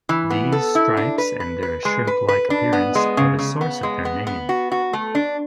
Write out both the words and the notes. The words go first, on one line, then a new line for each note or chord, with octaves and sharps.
These stripes and their shrimp-like appearance are the source of their name.
E3
B3
A4
E4
D4
B4
B4
B4
G#3
B4
B4
D4
B3
G#3
C#3
C#3
B3
G#3
B3
B3
F#4
F#4
A3
D4